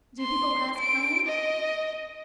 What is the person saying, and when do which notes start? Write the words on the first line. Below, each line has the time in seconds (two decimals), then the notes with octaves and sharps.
"Do people ask Helen?"
0.21 C6
0.78 D7
1.27 D#5